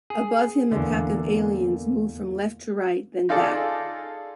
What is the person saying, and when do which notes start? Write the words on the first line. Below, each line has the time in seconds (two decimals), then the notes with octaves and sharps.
Above him a pack of aliens move from left to right, then back.
0.10 G#4
0.72 E2 D3 A#3
3.29 D#4 F4 G#4 A4 D5